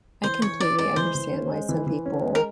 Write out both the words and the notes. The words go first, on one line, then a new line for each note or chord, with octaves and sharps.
I completely understand why some people,
E3 C5
E3 C#5
C#4 D5
G#3 D5
E3 C5
E3
C#4
G#3
E3
E3
C#4
G#3
A#4